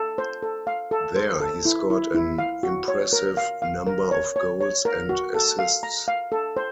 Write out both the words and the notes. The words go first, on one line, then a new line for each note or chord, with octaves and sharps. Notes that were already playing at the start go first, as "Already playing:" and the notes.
There he scored an impressive number of goals and assists.
Already playing: A4
C5
A4
F5
A4
C5
A4
E4
E4
E4
F5
F#4
C#5
A#4
F5
F5
A#4
C#5
C#5
C#5
A#4
F#4
A4
F5
A#5
F5
A4
C5